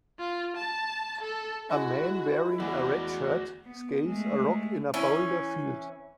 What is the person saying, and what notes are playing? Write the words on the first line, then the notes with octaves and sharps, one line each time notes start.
A man wearing a red shirt scales a rock in a boulder field.
F4
A5
A4
G#3 E4 F#4
E2 F#4 D5
B3
G#3 A3
E3 C#4